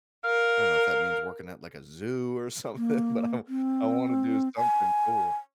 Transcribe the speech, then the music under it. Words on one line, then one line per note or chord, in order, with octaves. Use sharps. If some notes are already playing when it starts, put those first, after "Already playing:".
I don't know if that means working at, like, a zoo or something, but I want I wanna do something cool.
A#4 F5
A#3
C4
G#5